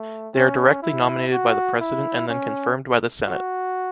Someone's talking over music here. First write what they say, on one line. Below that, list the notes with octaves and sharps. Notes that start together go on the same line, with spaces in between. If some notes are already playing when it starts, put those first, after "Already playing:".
They are directly nominated by the President and then confirmed by the Senate.
Already playing: A3
C#4
E4
F#4
E4
C#4
F#4